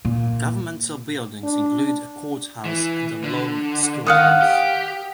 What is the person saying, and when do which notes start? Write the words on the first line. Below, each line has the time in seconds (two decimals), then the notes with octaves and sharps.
Governmental buildings included a courthouse and a log schoolhouse.
0.05 A#2
1.43 D4
2.65 E3
3.24 D3
4.07 D#3 F5 F#5 D#6
4.42 G4